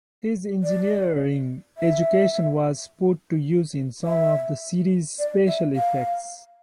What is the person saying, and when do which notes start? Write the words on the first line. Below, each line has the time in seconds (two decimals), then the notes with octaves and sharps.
His engineering education was put to use in some of the series' special effects.
0.64 D5
1.78 E5
4.05 E5
5.19 D5
5.48 E5
5.76 F5